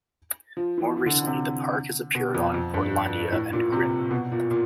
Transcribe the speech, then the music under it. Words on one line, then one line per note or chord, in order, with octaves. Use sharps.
More recently, the park has appeared on "Portlandia" and "Grimm".
F3
E3
E3
D3
D3
C3
B2
F2
F2
G2
A2
A#2
C3
B2
A#2
A#2